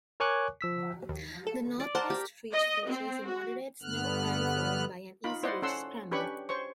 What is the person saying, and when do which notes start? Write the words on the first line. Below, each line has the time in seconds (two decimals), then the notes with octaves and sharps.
The Northwest Ridge features a moderate snow climb followed by an easy ridge scramble.
0.20 A#4 C#5 G#5 C#6 D6 F#6
0.61 F3 E6 B6
1.09 D#2
1.47 A4
1.80 D5
1.95 A#4 C5 F#5 A5
2.10 G4
2.52 D#5
2.87 C4
3.25 F#4
3.82 G2 D3 B3 F6 F#6
5.24 D#4 F4 B5
5.43 E4 C5 D5 D#5 F#5 C6
5.62 C#4 A4 F#5 C6 E6
6.11 C#4 D4 G4 B4 B5 C#6
6.49 C5 C#5 C#6